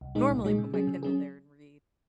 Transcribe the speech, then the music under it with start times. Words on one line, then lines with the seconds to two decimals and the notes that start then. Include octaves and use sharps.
normally put my Kindle there and read
0.01 C2
0.15 A#2 G#3 D#4 G#4
0.30 C2
0.44 A#2 G#3 D#4 G#4
0.58 C#3
0.74 F#3 C#4 G#4
0.87 C#3
1.03 F#3 C#4 G#4